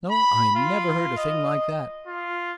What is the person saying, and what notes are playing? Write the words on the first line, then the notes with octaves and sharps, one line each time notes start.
"No; I never heard a thing like that!"
B5
F4
D#5
F4